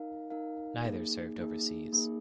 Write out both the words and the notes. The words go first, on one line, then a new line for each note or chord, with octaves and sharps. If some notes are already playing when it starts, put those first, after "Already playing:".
Neither served overseas.
Already playing: D#4 A#4 F5
D#4 A#4 F5
A#3 D#4 G#4
A#3 D#4 G#4
A#3 D#4 G#4